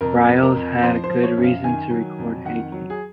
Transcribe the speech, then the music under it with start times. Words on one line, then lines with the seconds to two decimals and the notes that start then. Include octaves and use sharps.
Briles had good reason to record Hey Hank.
0.01 F2 A#4
0.28 F2
0.42 A#4
0.56 F2
0.83 F3 C5
1.04 C5
1.10 F3
1.23 C#5
1.38 F#2
1.44 F5
1.64 D#3 G#5
1.91 F#3
2.18 F2
2.45 D#3 F#5
2.72 F#3
2.90 G#4